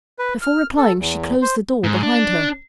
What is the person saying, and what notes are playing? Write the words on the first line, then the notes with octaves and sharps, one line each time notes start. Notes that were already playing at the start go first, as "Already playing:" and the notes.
Before replying she closed the door behind her.
B4
F6
A4
E2
C5
G#2
D4